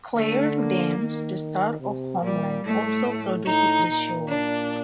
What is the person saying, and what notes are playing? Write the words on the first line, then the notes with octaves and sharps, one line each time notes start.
Claire Danes, the star of "Homeland", also produces the show.
D3 A3
A#3
D#3
C3
A#2 G3
A2 A3
A2
A2 D#4
A#2
D4